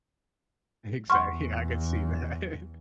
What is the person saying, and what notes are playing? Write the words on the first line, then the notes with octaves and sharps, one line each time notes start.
Exactly I could see that.
E2 F#5 C6 C#6 F6